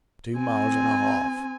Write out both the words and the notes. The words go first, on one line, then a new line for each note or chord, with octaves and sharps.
"Two miles and a half."
C4 G#5